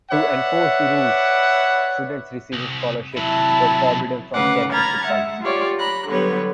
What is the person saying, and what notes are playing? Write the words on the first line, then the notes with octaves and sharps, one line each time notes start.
To enforce the rules, students receiving scholarships were forbidden from championship participation.
B4 C#5 D5 E5 F#5
C2
C3 F#3 E4 A5
D2 C#3 B4 F5 F#5 D6
A#5 B5 F6 G#6 A6
G#3 E5 F#5
F4 G4 C#5 D5
A#5 B5 F#6
D3 F#3 G3 B3 B4 C#5